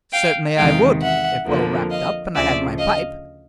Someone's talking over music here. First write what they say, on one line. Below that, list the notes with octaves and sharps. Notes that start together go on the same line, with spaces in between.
"Certainly I would, if well wrapped up, and I had my pipe."
F5 G5
E2 C3 D#3 G#3 F5 G5
E5 F#5
F2 D3 F3 A#3
D#5 F5
D2 C#3 F3 D5 E5
D#5 F5